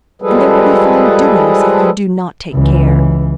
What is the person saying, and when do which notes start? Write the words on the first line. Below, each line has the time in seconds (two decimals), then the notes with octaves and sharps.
"And there will be fine doings, if you do not take care."
0.22 F3 G3 G#3 G#4 A4 B4
2.54 C#2 E3